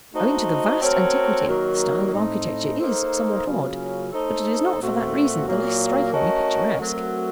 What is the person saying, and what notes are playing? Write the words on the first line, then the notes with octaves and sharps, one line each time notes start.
Owing to the vast antiquity, the style of architecture is somewhat odd, but it is not for that reason the less strikingly picturesque.
A3 D#4 F#4 C5 D#5
A3 C4 F#4 A#4 C#5
D#3 F#3 A#3 D#4 A#4
A2 A3 C4 D#4
A#3 D#4 A4 C5
C#3 F#3 A#3 C#4 F4
A3 D#4 A4 C5
A#2 A3 C4 F#4
A#2 F#3 A#3
A3 C#4 F#4 A#4 D#5
F#3 A3 C4 F#4 A#4